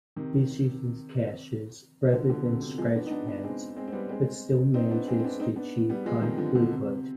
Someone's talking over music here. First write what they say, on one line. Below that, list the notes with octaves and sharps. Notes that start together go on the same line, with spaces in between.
This uses caches rather than scratchpads, but still manages to achieve high throughput.
C3 D#3
D3 F3
B2 D3
C3
C3
F3 G#3
B3 D4
D#4
B3 D4
B3 D4
G#3 C4
G#3 C4
C4
G3 B3
G#3 C4
C4 D#4
B3 D4
G#3 C4
C4
B3 D4
C4 D#4
B3 D4
G3 B3
F3 G#3
C3 D#3
D3 F3
B2 D3
C3